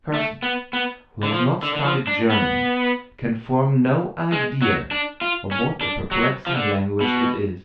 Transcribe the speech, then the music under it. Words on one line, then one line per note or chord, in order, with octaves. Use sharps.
A person who has not studied German can form no idea of what a perplexing language it is.
A3
B3
B3
D3
F3
D3
D3
F3
D4
B3
G#3
F#3
D4
F4
C#4
D4
F#3
F3
D3
B2